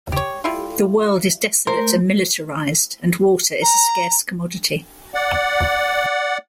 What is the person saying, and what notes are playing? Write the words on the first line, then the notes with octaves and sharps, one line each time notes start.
The world is desolate and militarized, and water is a scarce commodity.
G4 C#5
G3 E4 F4
G#3 A3 A#4 C5
A#5
D5 F#5